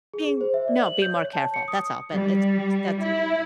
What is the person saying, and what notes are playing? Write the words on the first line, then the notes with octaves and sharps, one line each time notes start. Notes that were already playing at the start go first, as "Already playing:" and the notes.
Being No, being more careful, that's all, but it's s that's
G#4
G#4
C5
E5
D5
F#7
G6
C#5
A5
C#7
D#6
G3
E4